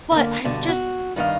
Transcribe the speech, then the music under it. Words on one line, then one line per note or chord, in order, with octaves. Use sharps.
but I've just
D3 A#3
G2 B2 D3
F#4
G2 D#3 D#5 F5